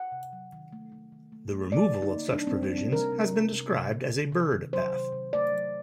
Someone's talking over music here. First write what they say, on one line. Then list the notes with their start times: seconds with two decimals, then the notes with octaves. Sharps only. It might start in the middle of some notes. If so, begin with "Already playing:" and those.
The removal of such provisions has been described as a Byrd Bath.
Already playing: F#5
0.12 C3
0.33 F#3
0.52 D#3
0.73 A3
0.92 A3
1.12 D#3
1.32 A3
1.52 A3
1.72 D3 D5
1.92 D3
2.02 D#4
2.12 A#3
2.32 G3 D4
2.47 C4
2.52 G3
2.63 D4
2.72 G3
2.78 C4
2.92 C3 A#4
3.12 C3
3.33 C3
3.52 C3
3.72 C3
3.92 C3
4.12 C3
4.32 C3
4.53 D#3
4.73 F#3 C5
4.93 C3
5.12 C3
5.33 A3 D5
5.53 F#3